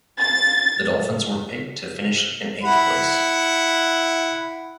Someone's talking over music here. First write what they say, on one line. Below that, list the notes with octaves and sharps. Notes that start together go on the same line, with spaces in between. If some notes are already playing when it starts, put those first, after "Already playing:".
The Dolphins were picked to finish in eighth place.
A6
E4 F#5 B5